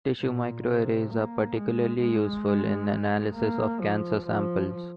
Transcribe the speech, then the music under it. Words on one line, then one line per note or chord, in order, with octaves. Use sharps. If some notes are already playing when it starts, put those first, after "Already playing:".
Tissue microarrays are particularly useful in analysis of cancer samples.
A#2
C3
A#3
G#3
G#3
A#3
F3
F3